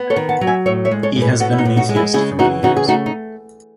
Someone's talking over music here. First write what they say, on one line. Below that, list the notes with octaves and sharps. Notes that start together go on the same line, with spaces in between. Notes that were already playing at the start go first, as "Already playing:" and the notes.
He has been an atheist for many years.
Already playing: B3
A4 C#5
D#3
F#5 A5
F#3
E5 G#5
A2 C#5 E5
C#5 E5
G#3
A4 C#5
A2
G#4 B4
B3 F#4 A4
E4
D#4
A2
D#4 F#4
G#3
E4 G#4
C#3 E4 G#4
E3 D#4 F#4
C#3 D#4 F#4
G#4
A3 D#4 F#4
D#4